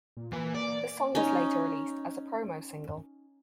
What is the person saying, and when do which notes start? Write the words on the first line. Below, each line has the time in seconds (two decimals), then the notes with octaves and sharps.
The song was later released as a promo single.
0.17 A#2
0.33 E3 A#3
0.55 D5
1.15 C#4 D#4